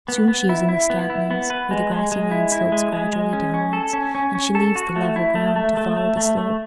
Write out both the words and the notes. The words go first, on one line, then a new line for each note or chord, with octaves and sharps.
Soon she is in the Scantlands, where the grassy land slopes gradually downwards, and she leaves the level ground to follow the slope.
B3
B3
E4
E4
B3
E4
B3
B4
G#3
G#3
G#3
E4
E4
G#3
G#3
G#3
C#4
C#4
A4
C#4
C#4
C#4
A4
F#4
A3
E4
A3
A3
A3
A3
A3
A3